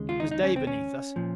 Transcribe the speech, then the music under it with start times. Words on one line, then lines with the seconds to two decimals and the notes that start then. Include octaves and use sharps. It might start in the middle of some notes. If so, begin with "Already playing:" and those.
It was day beneath us.
Already playing: D#2 C#3 G#3
0.09 F4
0.20 D#4
0.31 D#4
0.43 C#4
0.56 C4
0.67 C#4
1.16 A#2 F3